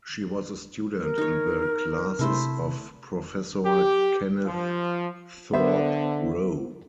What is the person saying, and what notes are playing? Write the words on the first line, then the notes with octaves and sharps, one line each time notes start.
She was a student in the classes of Professor Kenneth Thorpe Rowe.
A#4
D#4 C#5
C3 A3 E4 C5
G4
F3
D3 B3 C5 E5